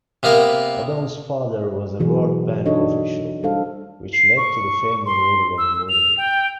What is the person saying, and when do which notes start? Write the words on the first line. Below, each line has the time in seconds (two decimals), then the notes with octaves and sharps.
Odone's father was a World Bank official, which led to the family regularly moving.
0.23 C3 A#3 B3 A#4
1.99 B2 E3 F#3 F#4 G#4
2.66 D4 D#4 F#4 A4 C#5 D#5
3.43 G3 D4 A4 C5 F5
4.13 C7
4.37 C#6
5.06 C6
5.58 E6
5.89 F7
6.18 G5